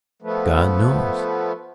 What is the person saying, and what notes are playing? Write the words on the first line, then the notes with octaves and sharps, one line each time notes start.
God knows!
F3 A3 B3